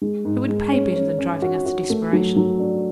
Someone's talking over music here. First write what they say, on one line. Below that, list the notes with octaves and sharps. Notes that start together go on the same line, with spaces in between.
It would pay better than driving us to desperation.
G#3
G#2
G#3
C#4
C#4
C#4
F#4
F#4
A3
F#3
F#3
D4